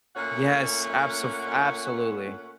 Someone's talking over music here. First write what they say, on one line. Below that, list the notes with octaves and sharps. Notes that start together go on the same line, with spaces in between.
Yes, abso f absolutely.
A#2 A3 C#4 F#5